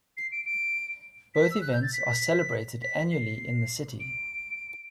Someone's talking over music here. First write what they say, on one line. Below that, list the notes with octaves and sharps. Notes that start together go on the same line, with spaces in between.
Both events are celebrated annually in the city.
C7
D7
D7
B6
E6
F#6
G6
A6
B6
B6
C7
D7